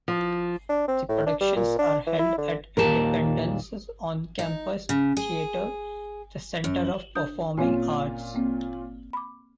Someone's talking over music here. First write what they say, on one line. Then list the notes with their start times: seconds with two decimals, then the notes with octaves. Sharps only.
The productions are held at Independence's on-campus theatre, the Center of Performing Arts.
0.08 F3
0.69 D4
0.88 C4
1.09 A2
1.26 D4
1.41 G3
1.56 A#2
1.79 D4
2.07 E3
2.19 E4
2.38 D3
2.77 D#2 A#2 G4 A#4 A5
4.39 D#4
4.89 C#3
5.17 G#4
6.64 F#2
7.15 D4 D#6 G6
7.57 A#2 C4 C#4 F4 G#5
8.35 A#3 C4
9.13 B5 D6